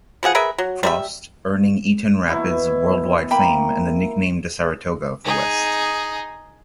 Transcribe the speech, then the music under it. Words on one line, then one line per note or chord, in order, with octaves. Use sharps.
Frost, earning Eaton Rapids worldwide fame and the nickname The Saratoga of the West.
B2 F3 G#4 F#5
G#4 A#4 B4 E5
F#3
G3 A#4 E5
B2 E3 E4
A#3 G5 B5
D#4 G#4